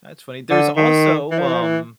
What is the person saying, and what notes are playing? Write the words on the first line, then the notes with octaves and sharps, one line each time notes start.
That's funny. There's also, um
D3
D#3
E3
F3
E3
F3
E3